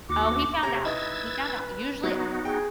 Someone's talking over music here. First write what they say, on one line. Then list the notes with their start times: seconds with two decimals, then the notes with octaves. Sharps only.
oh, he found out, he found out. Usually uh,
0.09 D#2 F#4 D6
0.63 C3 G4 C#5 A#5
0.85 D#4 E4 B4 D#5 E6 G#6 A6
2.03 F#3 B3 D#4 F#4
2.45 G#4 G5